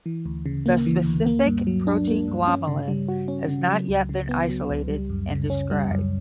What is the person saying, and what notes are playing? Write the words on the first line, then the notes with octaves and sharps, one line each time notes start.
The specific protein glomalin has not yet been isolated and described.
E3
D2
C#3
A#3
E3
D2
A#3
G2
F#3
D4
A#3
G2
C#4
C#3
G3
F#4
C#4
C#3
F#3
C#2
C#3
B3
F#3
C#2
G3
F#2
C#3
C#4
G3
F#2